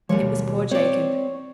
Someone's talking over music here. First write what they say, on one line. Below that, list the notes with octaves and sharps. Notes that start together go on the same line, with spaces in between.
It was poor Jacob.
D#2 F3 G3 G#3 C#5
B1
C4 C#5 D5